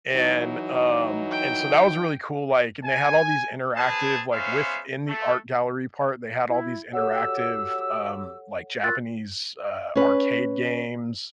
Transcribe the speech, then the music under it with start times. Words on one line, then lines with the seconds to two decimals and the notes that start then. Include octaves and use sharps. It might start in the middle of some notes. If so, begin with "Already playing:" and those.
and, um, and, so, that was really cool, like, and they had all these interactive, like within the art gallery part, they had all these interactive, um, like, Japanese, uh, arcade games
0.14 E3 F#3 D#4
1.31 G5
2.84 G#5
3.76 C4 G#4 B4 G#5 A5
4.32 G#3 B3 C#4 C5 E5 F5
5.08 A3
6.50 E4
6.93 F#3 G4 A4 C#5 F#5 E6
8.84 F4 F#4 A#4 E6 F#6 A6
9.95 C#4 B4